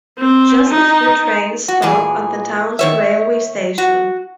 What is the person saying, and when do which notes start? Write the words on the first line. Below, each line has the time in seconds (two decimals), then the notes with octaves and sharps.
Just a few trains stop at the town's railway station.
0.18 C4
0.69 D#4
1.68 F#4
1.82 A#2 E3 G#4
2.79 D#3 C#5 E5
3.78 F#4